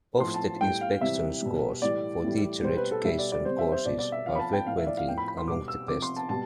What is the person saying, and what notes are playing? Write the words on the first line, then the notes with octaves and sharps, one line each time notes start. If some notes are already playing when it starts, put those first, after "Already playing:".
Ofsted inspection scores for teacher education courses are frequently among the best.
A2 F3 C6
A5
A2 G3 G5
F5
C3 E3 G3 E5
B2 G3
A2 E3 G3 D5
A2 E3 G3
B2 G3 C5
B4
A4
B2 G3 E5
D5
D5
C3 G3 C5
E5
C5
B2 G3 D5
D5
E5
C3 F3 F5
B5
A5
G5
A2 F3 F5
E5
D5
F5
A2 F3 G5
B5
B5
C6
B2 G3 D6
E6
C3 F3 D6
C6
A5
B2 G3 A5